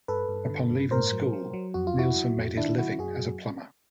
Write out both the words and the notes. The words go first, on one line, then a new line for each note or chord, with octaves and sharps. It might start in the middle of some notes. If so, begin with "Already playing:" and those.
Upon leaving school, Nilsen made his living as a plumber.
G2 A4 B4
G2
D3
G2
A2 A#4 C5
F#3
F#3
F#3
F2 F#4
F4
F2 E4 F#4
F#3
F2
D#3 D4 E4
F#3 E4 F#4
F#2 F#4 G#4
F#3